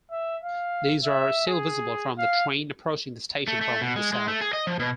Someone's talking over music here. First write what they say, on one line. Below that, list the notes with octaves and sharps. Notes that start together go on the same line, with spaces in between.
These are still visible from the train approaching the station from the south.
E5
F5
E5
G#4
F5
A3
A3
B2
G#3
G#3
A3
G#4
D#5
F3
B2